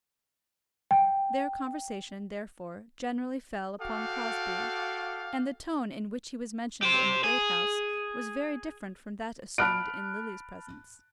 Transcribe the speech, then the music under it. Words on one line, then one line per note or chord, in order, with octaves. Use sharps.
Their conversation, therefore, generally fell upon Crosbie, and the tone in which he was mentioned in the Great House was very different from that assumed in Lily's presence.
G5
F#4 A4 F5 G5 D6
G4 C5
G#4
A5 B5 F6 F#6 D7